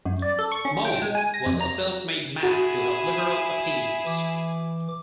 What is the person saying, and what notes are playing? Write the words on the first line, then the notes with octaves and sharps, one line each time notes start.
Morgan was a self-made man who had liberal opinions.
F#2
D5
A4
C#6
C#4
G5
G#3
G#5
A#6
F2
A#5
E4 F#4 G#4
E3 D6